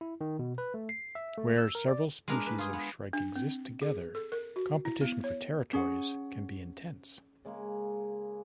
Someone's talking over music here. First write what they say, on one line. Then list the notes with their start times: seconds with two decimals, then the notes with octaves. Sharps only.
Where several species of shrike exist together, competition for territories can be intense.
0.01 E4
0.21 D#3
0.39 B2
0.58 B4
0.74 A3
0.89 C7
1.15 E5
1.37 A3
1.58 E6
1.75 A#4
1.88 D5
2.28 G#3 B3 D4 A#4
2.46 B4
2.58 F4 G#4
2.73 B3
3.13 D4
3.36 C4
3.82 G#4
4.15 A4
4.32 A#4
4.56 F#4
4.85 E4
5.01 B3
5.24 C#5
5.73 C#4 G#4 F#5
7.45 C#3 G#3 A#3